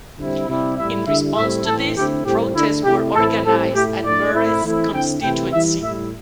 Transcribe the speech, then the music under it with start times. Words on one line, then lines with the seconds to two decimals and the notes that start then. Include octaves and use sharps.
In response to this, protests were organised at Murray's constituency.
0.18 D3 G3 C4 E4
0.47 C3 G3 E4
0.77 A2 G3 E4 E5
1.07 D3 G3 E4 E5
1.36 A2 G3 C4 E4 E5
1.66 A2 E3 C4 A4
1.95 D3 A3 C4 E4 G4
2.25 A2 G3 C4 G4
2.55 D3 A3 D4 E4
2.84 C3 A3 E4 G4
3.14 A2 E3 C4 E4 A4
3.44 A2 G3 C4 A4
3.73 A2 A3 E4 G4
4.03 A2 A3 D4 D5
4.33 A2 A3 C4 E4
4.63 E3 A3 C4 E4
4.92 D3 C4 E4 G5
5.21 C3 E3 A3 C4 E4 G5
5.51 E3 G3 E4 E5
5.82 A2 G3 E4 E5